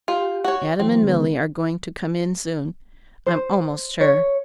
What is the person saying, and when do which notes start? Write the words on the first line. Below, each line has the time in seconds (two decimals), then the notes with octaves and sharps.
Adam and Milly are going to come in soon, I'm almost sure.
0.08 F4 G4
0.44 F#4 C#5
0.79 E3 F#3 C4
1.04 D3 G#3 B3
3.26 C5
4.01 C#5